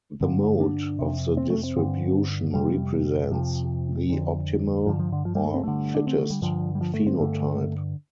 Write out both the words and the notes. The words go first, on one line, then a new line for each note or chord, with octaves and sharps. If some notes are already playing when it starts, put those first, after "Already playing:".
The mode of the distribution represents the optimal, or fittest, phenotype.
G2 D3
D4
F2 C3
C4
A3
C4
G2 D3
F2 C3 G3
F2 C3 F3
F2 D3
G2 D3 F3
F3
D3
F3
G3
A3
C4
G2 D3 A3
D4
C4
A3
G3
G2 D3 F3
G3
F3
A3
C4
G2 D3 A3